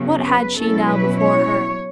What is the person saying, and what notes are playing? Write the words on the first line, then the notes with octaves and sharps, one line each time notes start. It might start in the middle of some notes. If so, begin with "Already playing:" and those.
What had she now before her?
Already playing: F#2 C#3 F#3 B3
B4
B2 F#3 C#4 E4 A4
B4
C#5